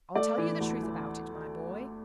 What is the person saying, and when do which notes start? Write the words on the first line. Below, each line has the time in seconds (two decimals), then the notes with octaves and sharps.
I'll tell you the truth about it, my boy.
0.15 A3 D5
0.38 E3
0.60 D2
0.83 E3